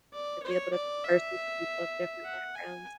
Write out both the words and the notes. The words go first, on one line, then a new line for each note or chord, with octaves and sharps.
to be able to converse with people of different backgrounds.
D5
C#5
D5
E5
F#5
G#5